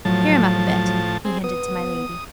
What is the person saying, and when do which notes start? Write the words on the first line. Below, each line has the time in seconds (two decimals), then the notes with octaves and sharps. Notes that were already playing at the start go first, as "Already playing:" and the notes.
"Cheer 'em up a bit!" he hinted to my Lady.
0.05 A2 F3 F#3 A5
1.25 C4 G#4
1.44 B3 D#6